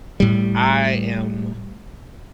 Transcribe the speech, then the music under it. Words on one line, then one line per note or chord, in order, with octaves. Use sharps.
I am
A2 G3